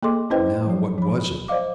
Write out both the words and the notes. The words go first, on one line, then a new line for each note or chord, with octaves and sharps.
"Now, what was it?"
A#3 G#4 A4 D#5 C6 D6
C#4 E4 B4 C5 D#5 G5
F3 F#3
F3 B5
C5 D5 D#5 F5 D6